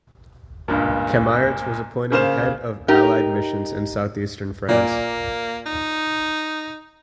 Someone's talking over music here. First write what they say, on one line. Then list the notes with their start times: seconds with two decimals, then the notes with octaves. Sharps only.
Cammaerts was appointed head of Allied missions in southeastern France.
0.68 C#2 G2 A#2
2.12 C#3 A#3 C5 F5 F6 E7
2.88 D#4 G4 A#4
4.68 A#2 A#3 D5
5.66 D#4